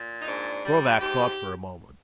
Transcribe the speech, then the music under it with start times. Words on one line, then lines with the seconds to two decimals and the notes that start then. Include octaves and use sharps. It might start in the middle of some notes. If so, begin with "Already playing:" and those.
Krovac thought for a moment.
Already playing: A#2
0.21 D#4
0.27 G#2 D4
0.65 G3
1.01 G#2 G4